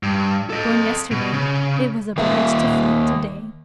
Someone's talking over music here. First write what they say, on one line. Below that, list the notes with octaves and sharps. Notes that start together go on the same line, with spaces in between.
Born yesterday, it was obliged to fight to-day.
G2
A4 D#5
B2
C#3
D#3 A#3 A#4 E5 F5